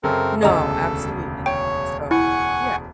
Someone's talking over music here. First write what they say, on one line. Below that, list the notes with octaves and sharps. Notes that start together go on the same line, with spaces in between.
No, absolutely not, so yeah.
F#2 C#3 C4 A4 A#4
E1 D2 C#3 A4 D#5 A#5
C#5 G5
E4 F#5 G#5 C#6